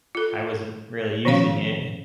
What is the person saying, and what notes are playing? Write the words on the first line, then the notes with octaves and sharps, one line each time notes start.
I wasn't really using it.
F4 A4
D#3 F3 C#4 C#5 F5